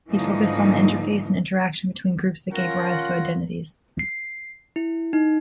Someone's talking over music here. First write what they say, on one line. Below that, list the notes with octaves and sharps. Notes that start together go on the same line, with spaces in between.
He focused on the interface and interaction between groups that gave rise to identities.
G#2 D3 E3 F3 A#3 D#4
C#4 F4 A#4 F#5 A#6
C7
E4
D#4